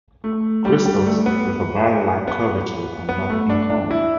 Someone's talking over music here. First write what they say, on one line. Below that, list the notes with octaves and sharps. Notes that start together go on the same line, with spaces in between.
Crystals with a barrel-like curvature are not uncommon.
A3
G3
G3
A3
B3
B3
B3
A3
D4
D4
E4